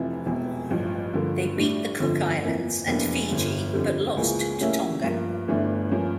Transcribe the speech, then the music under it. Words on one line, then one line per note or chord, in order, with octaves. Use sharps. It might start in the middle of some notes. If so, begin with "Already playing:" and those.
They beat the Cook Islands and Fiji, but lost to Tonga.
Already playing: F1 F2 E3
E1 E2 E3
A1 G2 F3
G2 D3 F3 A#3
A2 G3 D4
G1 F2 D3 F3
F2 E3 A#3
F1 E2 E3 A#3 D4
G1 G2 D3
F2 D3 G3
C#2 C#3 E3 A#3
A2 G3 A#3 C#4 E4
G2 F3 A#3
G1 G2 E3 A3 D4
G2 F3 A#3 C#4